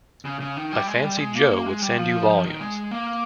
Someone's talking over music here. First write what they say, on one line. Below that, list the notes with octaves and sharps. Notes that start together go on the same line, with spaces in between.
I fancied Jo would send you volumes.
C#3
C#3
D#3
G3
G#3
G3
G#3
A#3
G#3
G3
F3
F3
D#3
G#3
A#3